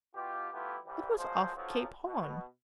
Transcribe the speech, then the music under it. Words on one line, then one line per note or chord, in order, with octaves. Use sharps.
It was off Cape Horn.
B2 F4 G4
E3 A3 B3 E4 F4 G4
C2 E3 G3
A#2 F3 F#3 G#3 C5
B1 F3 F#3
B2